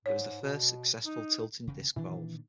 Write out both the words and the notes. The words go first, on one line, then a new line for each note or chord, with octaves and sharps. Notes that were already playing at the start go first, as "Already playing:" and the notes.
It was the first successful tilting-disc valve.
G#2 C#5
B2
D#4
E1 C#3
A#2 D#3 E3 D4